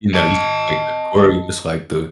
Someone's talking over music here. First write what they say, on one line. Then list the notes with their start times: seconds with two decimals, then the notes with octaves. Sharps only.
you know, you said, like, the aquarium, it's, like, the
0.14 D#5 A5